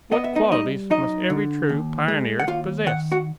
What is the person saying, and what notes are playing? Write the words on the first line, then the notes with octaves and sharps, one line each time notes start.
What qualities must every true pioneer possess?
B3 D#5
E5
D#4 D#5
G3 D#4 D#5
F#2 D#4 D#5
D3
D#2
G#3
F#5
D#2 F4 F5
D#3 F#5
F#4 F#5